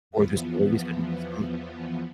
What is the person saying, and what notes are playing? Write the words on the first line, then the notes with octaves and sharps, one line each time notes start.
or there's always gonna be some
E2 E3 F3 B3